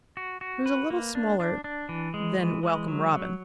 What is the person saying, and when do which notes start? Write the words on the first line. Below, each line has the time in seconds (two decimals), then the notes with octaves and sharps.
He was a little smaller than Welcome Robin.
0.17 F#4
0.41 F#4
0.66 B4
0.90 A#3
1.15 D4
1.40 D4
1.64 D4
1.89 E3
2.14 G#3
2.38 E3
2.63 G#3
2.88 F#3
3.13 F#3